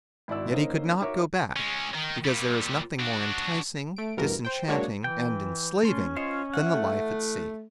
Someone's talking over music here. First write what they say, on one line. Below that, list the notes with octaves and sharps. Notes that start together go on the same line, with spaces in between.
Yet he could not go back, because there is nothing more enticing, disenchanting, and enslaving than the life at sea.
G#1 E4 F#4 D5 E6
D#3 A#3 C#4 D#4 C5 D#5
D#4 F#4 A#4 C#5 E5 D6
G#3 C#4
D#3
A#2 G3
D4 F#4
A3 D7
A1 E2 G2 B2 A#4
C5 G5
F#3 G#3 A#3 D4 F#4 C#5
E3 G5
A3 C#4 C6
F4 C5 C#5 D#5
E3 E4 F#5
A3